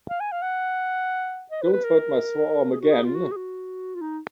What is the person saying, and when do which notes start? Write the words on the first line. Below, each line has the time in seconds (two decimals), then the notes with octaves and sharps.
Don't hurt my sore arm again.
0.10 F5
0.20 G#5
0.32 F5
0.42 F#5
1.51 D#5
1.62 B4
1.73 B4
1.84 A#4
2.71 G#4
2.81 F#4
2.91 G#4
3.05 F4
3.15 F#4
3.32 G#4
3.37 F#4
3.95 F4
4.01 D#4